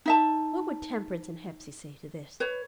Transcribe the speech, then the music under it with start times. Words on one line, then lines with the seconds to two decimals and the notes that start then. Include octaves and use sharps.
"What would Temperance and Hepsey say to this?"
0.06 D#4 E5 A5
2.40 B4 C#5